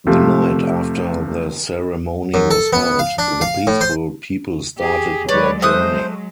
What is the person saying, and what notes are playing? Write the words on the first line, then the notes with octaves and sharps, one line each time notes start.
The night after the ceremony was held, the peaceful people started their journey.
C3 F3 A3
F#2
A4
B3
F5
D4
F5
A2
C5
G4 G#4
F#3 G#3 B4 C#5 D5
A3 C5 D#6 F#6